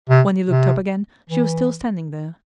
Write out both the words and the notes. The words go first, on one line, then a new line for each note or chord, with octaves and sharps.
When he looked up again she was still standing there.
C3
C3
E3